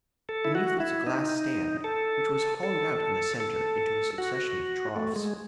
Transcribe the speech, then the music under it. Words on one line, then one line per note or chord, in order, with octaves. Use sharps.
Beneath was a glass stand, which was hollowed out in the centre into a succession of troughs.
A4
E4
F#4
E4
D#4
A4
A4
A4
F#4
A3
G#3